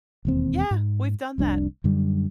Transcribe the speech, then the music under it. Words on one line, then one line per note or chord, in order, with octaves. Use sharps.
Yeah, we've done that.
E1 D#2 C4
G#2
F1 C2 C4 D4
F#2 D3 G3